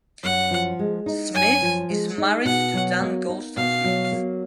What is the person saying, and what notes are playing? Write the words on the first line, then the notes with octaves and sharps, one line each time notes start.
Smith is married to Dian Goldston Smith.
F#2 F#5
F3
G#3
D#4
F#2 G#5
F3
G#3
D#4
B2 F#5
F#3
A#3
D#4
B2 F5
F#3
A#3